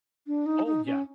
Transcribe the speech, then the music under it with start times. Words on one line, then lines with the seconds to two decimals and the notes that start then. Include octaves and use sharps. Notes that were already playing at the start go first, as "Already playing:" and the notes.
Oh, yeah.
0.27 D4
0.46 D#4
0.66 D#4
0.86 C#4